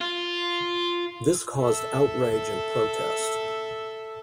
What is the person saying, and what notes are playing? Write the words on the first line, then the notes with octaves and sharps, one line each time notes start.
This caused outrage and protest.
F4
A4 E5